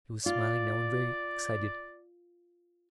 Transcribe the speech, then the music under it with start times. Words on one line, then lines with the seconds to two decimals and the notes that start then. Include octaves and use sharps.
He was smiling now and very excited.
0.26 F4 D5